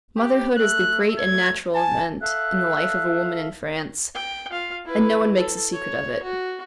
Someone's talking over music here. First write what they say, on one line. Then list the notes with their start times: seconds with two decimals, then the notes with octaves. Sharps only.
Motherhood is the great and natural event in the life of a woman in France, and no one makes a secret of it.
0.17 G4
0.57 A3 F#6
1.18 G#6
1.74 G#5 A5
2.21 A4 E5 F5 F#6
4.15 G5
4.50 F4 F5
4.85 E4 B4
5.37 A4
5.73 C#5
6.23 F#4